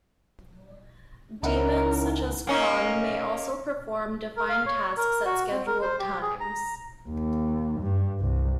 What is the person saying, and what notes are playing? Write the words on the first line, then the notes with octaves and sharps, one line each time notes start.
Daemons such as cron may also perform defined tasks at scheduled times.
C#2 C#4 D#4 E4 A#4 F#5
A#3 C#4 D#4
A#4
F5
C#5
A#4
F#4
C4
A#4
C5
G4
G#4
A#5
D#2
G2
C2